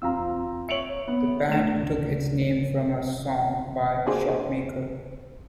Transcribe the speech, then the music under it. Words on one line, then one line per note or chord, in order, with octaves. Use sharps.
The band took its name from a song by Shotmaker.
E2 C4 F4 F5 A#5 E6
C#5 E5 C#7 D7 F#7
B3
A3 D4 E7
D2 C#3
A#3 C4 D4 F#4 G#4 C5